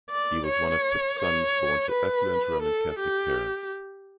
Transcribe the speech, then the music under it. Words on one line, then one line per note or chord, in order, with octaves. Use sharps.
He was one of six sons born to affluent Roman Catholic parents.
D5
C#5
C#5
B4
A4
G4